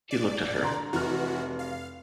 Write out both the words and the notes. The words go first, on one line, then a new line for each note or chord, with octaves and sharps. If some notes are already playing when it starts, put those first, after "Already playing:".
He looked at her.
D5
D3 A#5 C6
F1 E3 F#4 F6
F5